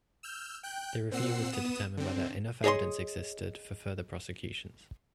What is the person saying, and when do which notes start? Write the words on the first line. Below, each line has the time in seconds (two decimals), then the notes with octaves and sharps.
The review was to determine whether enough evidence existed for further prosecutions.
0.23 E6 F6 G6
0.63 G5 F#6 G6
1.11 A#2 C4 F#5 E6 C7
1.52 B3 D#6 E7
1.97 D3 C4
2.64 G#4 C#5 D#5 A5 C6